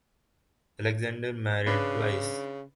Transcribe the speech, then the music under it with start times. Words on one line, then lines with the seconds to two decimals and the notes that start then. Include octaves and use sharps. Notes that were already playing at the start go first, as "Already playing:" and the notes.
Alexander married twice.
1.66 C#3 D4 B4